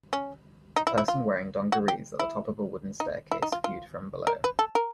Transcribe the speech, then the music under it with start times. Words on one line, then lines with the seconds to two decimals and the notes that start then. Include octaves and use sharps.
A person wearing dungarees at the top of a wooden staircase viewed from below.
0.13 C#4
0.76 D#4
0.87 E4
0.98 E4
1.08 F4
1.72 F#4
1.88 G4
2.19 E4
3.00 D#4
3.31 E4
3.42 D#4
3.52 F4
3.64 F4
4.27 A#4
4.44 B4
4.59 A4
4.75 A#4